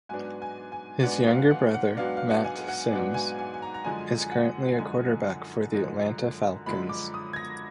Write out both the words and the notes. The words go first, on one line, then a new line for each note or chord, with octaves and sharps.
His younger brother, Matt Simms, is currently a quarterback for the Atlanta Falcons.
G#2 F#3 B3 D4 G#5
G#5
G#5
G#2 F#3 B3 D4 F#5
F5
F#5
F#5
G#2 F#3 B3 D4 F5
F5
F#5
G#5
F#5
G#2 F#3 B3 D4
G#5
G#5
G#5
A#5
A#5
F#2 D3 F3 G#3 G#5
F#5
F#2 D3 F3 G#3 G#5
F#2 D3 F3 G#3
F#2 D3 F3 G#3 B5
D6
D#6
G#6
A#6